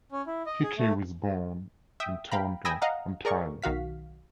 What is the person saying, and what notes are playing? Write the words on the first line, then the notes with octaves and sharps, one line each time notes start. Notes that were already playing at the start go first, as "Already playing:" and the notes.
Hickey was born in Toronto, Ontario.
C#4
E4
D#5
G#4
A3
E5 G5 D#6
F5 G5 A#5 B5
G5 G#5 B5 D#6 E6 A#6
D#5 F5 F#5 A#5
G#4 A#4 D5 C#6
B1 D#3 F#4 F5 B6